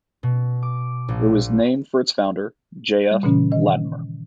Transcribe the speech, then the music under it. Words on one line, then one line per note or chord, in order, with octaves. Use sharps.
It was named for its founder, J. F. Latimer.
B2
D6
A#1
G3
A#2 C#3 E3 C#4
D#3 D#5